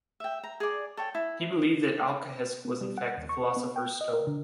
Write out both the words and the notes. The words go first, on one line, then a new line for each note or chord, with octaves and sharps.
He believed that alkahest was, in fact, the philosopher's stone.
E5 G5
A#5
G#4 D5
A4 C#5 G5
E4
B3
G3
F#5
D#2
C#6
B3
G5
D#5
A#4
D3